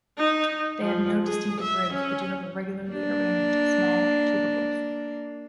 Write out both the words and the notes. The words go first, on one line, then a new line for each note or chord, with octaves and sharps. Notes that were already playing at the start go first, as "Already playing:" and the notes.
They have no distinctive ribs, but do have regularly arranged small tubercles.
D#4
F3
G#4
E5
C#4
A#3 D4